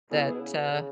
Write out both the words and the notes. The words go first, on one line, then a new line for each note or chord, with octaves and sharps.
that, uh,
C#3 B3 E4 G#4
E3
B2
C#3
B2
C#3